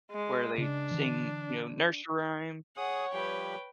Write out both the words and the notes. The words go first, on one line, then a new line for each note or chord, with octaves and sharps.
where they sing, you know, nursery rhyme
G#3
C#3 D4
D3 E3
G#4 C#5 F#5 D#6
F3 G3 G4 B4 G5